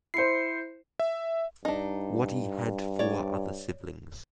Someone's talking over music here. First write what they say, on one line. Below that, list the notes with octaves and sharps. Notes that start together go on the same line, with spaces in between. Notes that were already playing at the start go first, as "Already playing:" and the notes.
Waddy had four other siblings.
E4 C5 C7 C#7
E5
G2 D4 D#4
C#5 D5